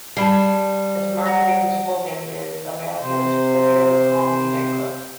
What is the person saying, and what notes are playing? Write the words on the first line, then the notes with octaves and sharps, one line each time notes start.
Its marketing slogan is America's Premiere Comedy Nightclub.
G3 A5 B5 C7
F#5 A#5 A#6
C3 C5